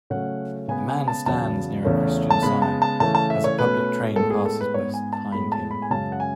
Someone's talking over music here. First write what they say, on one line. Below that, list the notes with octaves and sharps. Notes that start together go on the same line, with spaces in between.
A man stands near a Christian sign, as a public train passes behind him.
C#3 F#3 A3 C#4 F#5
C#3 G#3 B3 G#5
G#5
A5
E2 C#3 F#3 B3 A5
E2 C#3 E3 A3 C#4
A5
C#3 G#3 B3 B5
A5
A5
C#3 E3 A3 C#4 A5
A5
E5
C#5
B2 A3 C#4 B4
A2 G#3 B3 A4
G#4
A4
B4
G#2 G#3 B3 C#5
G#5
A5
A2 G#3 B3 B5
A5
B5
G#5
F#2 C#3 G#3 C#4 A5
F#5
G#5